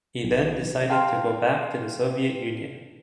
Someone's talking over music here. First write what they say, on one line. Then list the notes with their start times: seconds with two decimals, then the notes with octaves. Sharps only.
He then decided to go back to the Soviet Union.
0.23 B1
0.89 F5 G5 A5 C6 F6